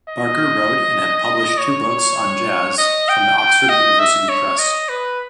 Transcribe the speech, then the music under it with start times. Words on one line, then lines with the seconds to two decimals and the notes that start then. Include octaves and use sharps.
Barker wrote and had published two books on jazz from the Oxford University Press.
0.08 D#5
1.58 C#5
2.78 D#5
3.09 G5
3.38 G5
3.69 D#5
3.99 E5
4.29 C#5
4.58 D#5
4.89 B4